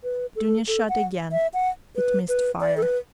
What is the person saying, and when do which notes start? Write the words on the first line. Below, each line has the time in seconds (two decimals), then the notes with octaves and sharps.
Dounia shot again: it missed fire.
0.04 B4
0.36 A4
0.68 A4
0.89 F#5
1.32 E5
1.54 F#5
1.96 B4
2.29 B4
2.61 D5
2.77 A4
2.82 B4